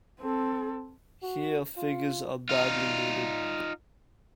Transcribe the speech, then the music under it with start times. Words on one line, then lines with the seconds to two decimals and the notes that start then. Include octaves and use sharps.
Here, figures are badly needed.
0.20 C4 A4
1.23 F#4
1.77 F4
2.49 D#4 F4